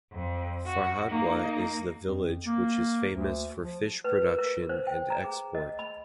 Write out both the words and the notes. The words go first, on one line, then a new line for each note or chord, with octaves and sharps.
Farhadwa is the village which is famous for fish production and export.
F2
F#4
A#3 D#4
F2
A#3
D2
F3
B4
A#4
A#4
C5
G5
A#5
G#4
D#5
B5